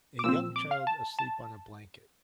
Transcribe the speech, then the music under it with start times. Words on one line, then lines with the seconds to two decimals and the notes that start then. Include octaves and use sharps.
A young child asleep on a blanket.
0.19 D6
0.24 A#2 F3 C4 E6
0.56 D6
0.71 F5
0.87 A5
1.19 A5